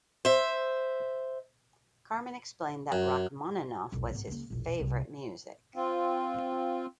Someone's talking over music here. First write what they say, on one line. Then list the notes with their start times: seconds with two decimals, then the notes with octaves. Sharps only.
Carmen explained that Rachmaninoff was his "favorite music".
0.25 C5 E5
2.92 F#2
3.92 E1 B1
4.11 G#1 B3
4.27 C#2 A#3
4.50 E1 A#1
4.79 C2 B3
5.76 C4 F4